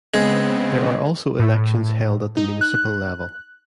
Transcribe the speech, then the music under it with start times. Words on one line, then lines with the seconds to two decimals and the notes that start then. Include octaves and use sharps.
There are also elections held at the municipal level.
0.14 C#3 G#3 B3 C4
1.39 A2
2.37 D#4
2.61 F#6